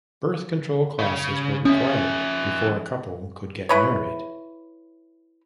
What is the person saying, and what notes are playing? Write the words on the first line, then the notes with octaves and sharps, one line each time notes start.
Birth control classes were required before a couple could get married.
C#3
F3 C#4 E5
E4 B4 C#5